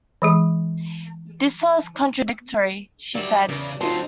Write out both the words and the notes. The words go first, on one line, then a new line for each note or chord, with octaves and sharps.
This was contradictory, she said.
E3 G#3 G#4
F#3 G3 D5 E5
E2 C#3 D5
D3 F#3 C4 D#4 F4 C5 A5